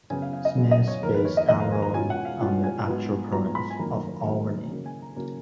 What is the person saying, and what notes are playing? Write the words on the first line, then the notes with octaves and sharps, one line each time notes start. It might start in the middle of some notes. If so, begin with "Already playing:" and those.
Smith based Averoigne on the actual province of Auvergne.
F#2 C#3 F#3 B3 G#5
F5
F5
D#5
F#2 C#3 F#3 B3
D#5
C#5
F2 D#3 A#3 A#4
B4
C#5
D#5
F2 D#3 A#3 D#5
F5
G#5
A#5
B2 G#3 C#4 F4 G#5
F#5
F5
B2 G#3 C#4 F4 F#5
G#5
G#2 F#3 B3 F4
G#2 F#3 B3 F4 A#5
B5
G#5
F#2 D#3 A#3 A#5
F#2 D#3 A#3
C#3 F#3 A#3
G#5
A#5
C#3 F#3 A#3